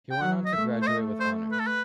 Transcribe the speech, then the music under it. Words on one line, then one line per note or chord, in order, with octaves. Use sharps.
He went on to graduate with honours.
G5
F#3 F#5
D#5
A3 E5
C5
D#5
C5
B4
A4
B4